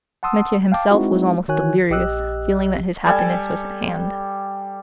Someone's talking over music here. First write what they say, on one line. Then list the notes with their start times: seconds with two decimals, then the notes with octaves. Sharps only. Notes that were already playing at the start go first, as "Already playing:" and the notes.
Mitya himself was almost delirious, feeling that his happiness was at hand.
0.23 F#5 A5 C6 D#6 E6
0.72 F5 G5 A5 D6
0.91 G#3 C4 D#4 E4 F#4
1.48 D#3 F#4 C#5 G#5 F#6
1.90 A#1 G4 D#5 E6 F#6
3.06 G3 A4 G#5